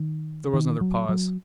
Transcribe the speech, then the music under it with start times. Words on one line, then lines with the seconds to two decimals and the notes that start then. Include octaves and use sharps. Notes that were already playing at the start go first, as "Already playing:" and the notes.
There was another pause.
Already playing: D#3
0.53 D#3
0.81 F#3
1.09 F#3